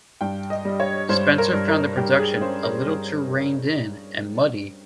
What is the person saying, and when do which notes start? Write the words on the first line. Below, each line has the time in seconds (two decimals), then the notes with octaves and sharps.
Spencer found the production "a little too reigned in" and "muddy".
0.21 G2 G5
0.50 D#5
0.65 G3
0.80 C#5
1.09 G2 C5
1.38 A#4
1.53 G2
1.68 A#4
1.97 G3 G4
2.19 G#4
2.41 C#4 C5
2.63 A#4
2.86 G2